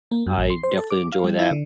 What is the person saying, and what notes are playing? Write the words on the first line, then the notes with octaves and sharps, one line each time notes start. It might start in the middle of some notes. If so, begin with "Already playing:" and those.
I definitely enjoy that.
A#3
F#2
A1
C6
C5
A4
D6
F5
G3
E4
D3